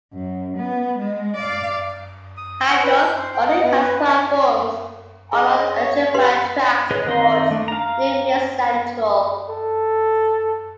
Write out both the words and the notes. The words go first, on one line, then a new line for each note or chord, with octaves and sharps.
Hyde North only has platforms on the non-electrified tracks towards New Mills Central.
F#2
B3
G#3
D5 F5
D#6
F#5
B4
G6
C5
G5
D#5
B3
B4
G#4 D#5
C#5
G4 B4 F5 C6
G#4 B4 C#5 D#5 F#6
D#3 C4 D#4 D#5 C6
A3 D4
F5 A#5
A4